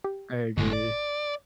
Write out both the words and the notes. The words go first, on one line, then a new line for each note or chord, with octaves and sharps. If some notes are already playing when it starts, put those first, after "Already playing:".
I agree.
G4
G1 B2 G#3
D5